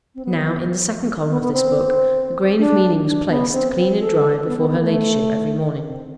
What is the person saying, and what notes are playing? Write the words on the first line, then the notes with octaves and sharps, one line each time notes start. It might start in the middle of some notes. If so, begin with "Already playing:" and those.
Now, in the second column of this book, the grain of meaning was placed, clean and dry, before her ladyship every morning.
C4
B3
B3
B3
C4
D4
D4
B3
C4
C4
A4
B3
B3
B3
A3
C4